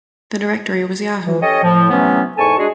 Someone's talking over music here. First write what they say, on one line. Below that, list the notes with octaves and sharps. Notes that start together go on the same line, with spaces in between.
The directory was Yahoo!
E3
C#4 G4 A4 C#5 D#5
A2 F3
C3 E3 F#3 A3 B3 C#4
E2 G#2 A4 G#5 A5 C#6
G3 G#3 D4 F#4 G#4